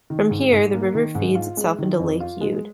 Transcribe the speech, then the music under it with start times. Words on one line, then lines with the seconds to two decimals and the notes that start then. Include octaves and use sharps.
From here the river feeds itself into Lake Youd.
0.10 D#3
0.31 G#2
0.51 G#2
0.74 A#3
0.95 D#3
1.15 G#2
1.35 F4
1.57 G#3
1.78 D#3
1.99 F2
2.20 F4
2.41 G#3